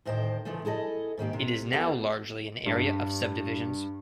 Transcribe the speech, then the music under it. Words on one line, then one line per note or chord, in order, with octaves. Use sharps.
It is now largely an area of subdivisions.
D2 A2 D#3 C5 D#5 G5
C#3 E3 F3 A3
E4 G#4 A4 D#5
G#2 D#3 A#3 G4
C3
E2 B3 G4 A4 F5 F#5
G2